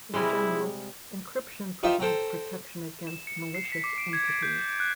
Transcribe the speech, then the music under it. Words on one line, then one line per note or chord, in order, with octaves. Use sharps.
In general, encryption provides protection against malicious entities.
C3 G3 G#3 E4 G#4
D#4 F4 G4 C5 E5
A4 C5 G5 A#5
E7
C#7
C7
B6
D6
D7
G#6
A6
G6
F#6